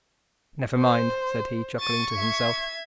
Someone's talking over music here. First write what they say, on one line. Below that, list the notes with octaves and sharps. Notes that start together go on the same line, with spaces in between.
"Never mind," said he, chuckling to himself.
C5
C#6 A6 D#7
E5 G#6